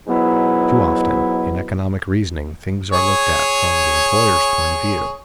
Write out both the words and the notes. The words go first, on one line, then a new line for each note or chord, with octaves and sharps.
Too often, in economic reasoning, things are looked at from the employer's point of view.
G#2 B2 F#3 B3 E4
G#4 C#5